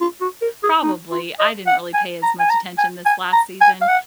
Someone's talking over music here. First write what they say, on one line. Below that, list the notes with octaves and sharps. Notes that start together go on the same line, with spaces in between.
Probably I didn't really pay as much attention this last season
F4
F#4
A#4
G#4
D#4
F4
D#5
F#5
G#5
A#5
G#5
A#5
G#5
G#5
A#5
G#5
F5
F#5